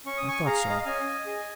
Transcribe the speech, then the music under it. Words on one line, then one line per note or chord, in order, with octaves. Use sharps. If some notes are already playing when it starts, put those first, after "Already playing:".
I thought so.
C#4 C#6
D#6
G#5 C#6
G#4 F5 A#5
D#5
F5
C#4 D#5 G#5
G#4